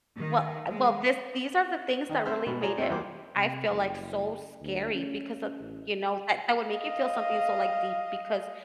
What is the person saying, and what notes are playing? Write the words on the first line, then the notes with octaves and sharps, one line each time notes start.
well, uh, well, this these are the things that really made it I feel, like, so scary because of, you know that that would make you feel something so, like, deep, because
D#3
G#3
D#3 D#4
C4 C5 E5 F6
G#2 B2
F4 G#4 C#5 D5 A#5
C4 C#4 F4 E5
E2 G3 A#3 F#4 C5 D6
C3
F#1
D2
C#4
A1
D#5 F5